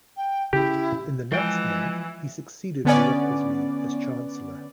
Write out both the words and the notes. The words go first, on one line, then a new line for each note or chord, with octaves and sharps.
In the next month he succeeded Wriothesley as chancellor.
G5
C#3 E4 G4
E3 F3 G#3 G5
D3 B3 C#4 D5